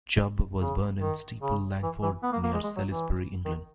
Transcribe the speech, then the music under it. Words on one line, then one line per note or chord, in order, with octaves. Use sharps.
Chubb was born in Steeple Langford near Salisbury, England.
C#3
D#3
C#3
E3
E3
B3
A#3
A#3
G#3
G#3
F#3
E3
D#3